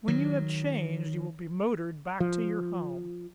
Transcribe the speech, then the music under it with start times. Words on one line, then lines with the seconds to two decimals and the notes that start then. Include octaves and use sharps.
When you have changed, you will be motored back to your home.
0.08 D#3 F#3
2.20 F3